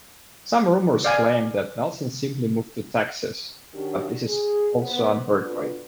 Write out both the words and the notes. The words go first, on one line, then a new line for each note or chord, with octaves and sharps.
Some rumors claim that Nelson simply moved to Texas, but this is also unverified.
D5 F5 G#5
D#3 C#4 D4 F#4 G4
G#4
B3 C5
B2 D3 C4 D4 F4 B4